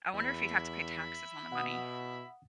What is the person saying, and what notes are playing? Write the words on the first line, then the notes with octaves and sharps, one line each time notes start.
I wonder if you'd have to pay taxes on the money.
E2 E5 B5
B2 F#5 D#6